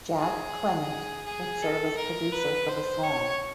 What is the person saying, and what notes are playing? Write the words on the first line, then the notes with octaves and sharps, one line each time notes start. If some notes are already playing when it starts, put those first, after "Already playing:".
Jack Clement would serve as producer for the song.
G#4
G#4
A4
A#4
B4
C5
C#5